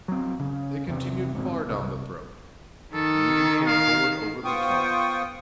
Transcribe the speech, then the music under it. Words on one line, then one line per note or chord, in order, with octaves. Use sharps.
They continued far down the throat, and even came forward over the tongue.
F#3 C4
C#3
E2 C3
D#1 G#2 C4
C2
D#3 A4
F5
B3 F4 C5 G5 C#6 D#6